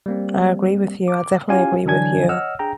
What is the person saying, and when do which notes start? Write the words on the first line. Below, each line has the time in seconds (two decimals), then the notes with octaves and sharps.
I agree with you, I definitely agree with you.
0.06 G3 A#3 C4
1.08 D6
1.49 C#4 E4 F4 G4 F5 G#5
1.86 D3 E3 F#3 D4 G#5 G#6
2.29 C#5 D#5 F#5 E6 F6
2.59 D4 G#4 G5 A#5